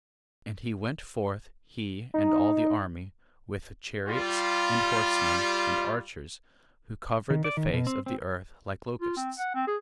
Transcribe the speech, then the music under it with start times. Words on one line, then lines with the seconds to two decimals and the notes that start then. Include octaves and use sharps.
And he went forth he and all the army, with the chariots, and horsemen, and archers, who covered the face of the earth, like locusts.
2.14 D#4
4.06 G3 F4
7.30 D#3
7.44 D5
7.57 D#3
7.73 B2
7.87 C4
8.06 C4
9.01 F4
9.17 C4
9.38 F#5
9.54 C4
9.67 G#4